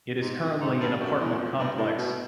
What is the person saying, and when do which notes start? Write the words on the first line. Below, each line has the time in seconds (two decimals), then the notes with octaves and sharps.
It is currently an apartment complex.
0.22 G#2
0.41 F2
0.60 G#2
0.80 G2
1.00 F#2
1.20 E2
1.34 F#2
1.39 F2
1.58 G2
1.77 A2
1.97 B2